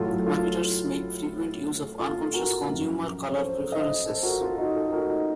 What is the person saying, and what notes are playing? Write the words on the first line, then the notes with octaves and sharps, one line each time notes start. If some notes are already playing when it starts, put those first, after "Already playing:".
Marketers make frequent use of unconscious consumer color preferences.
Already playing: A2 F#3 F4 A4
F4 A4
F4 A4
F#4 A#4
F#2 F3
C#5
A4 C5
C5 D#5
A4 C5
F#4 A#4
F4 A4
D#4 F#4
F4 A4
F#4 A#4
D#4